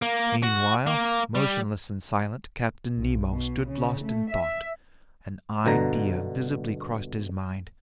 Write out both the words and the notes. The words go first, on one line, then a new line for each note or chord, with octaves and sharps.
Meanwhile, motionless and silent, Captain Nemo stood lost in thought. An idea visibly crossed his mind.
A#3
F#4
A#3
G3
B1
B2
C#3
A3
E5
G1 B2 D3 A#5